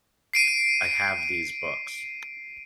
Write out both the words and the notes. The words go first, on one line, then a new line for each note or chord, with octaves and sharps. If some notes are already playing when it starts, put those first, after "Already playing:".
I have these books.
C7 D7 D#7